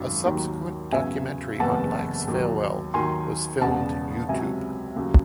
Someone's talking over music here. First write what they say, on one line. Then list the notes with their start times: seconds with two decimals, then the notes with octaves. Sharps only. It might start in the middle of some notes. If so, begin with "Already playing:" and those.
A subsequent documentary on Lach's farewell was filmed YouTube.
Already playing: G#1 F#2 D#3 F#3
0.25 D#2 D#3 F#3
0.92 E2 C#3 F#3 E5 G#5
1.59 F#1 E2 C3 E3 F#5 A5
2.27 D#2 D#3 F#3
2.94 D#2 D#3 F#3 G#5 C6
3.62 E1 E2 C#3 F#5 A5
4.29 C#2 C3 F#3 E5 G#5
4.96 D#2 C#3 F#3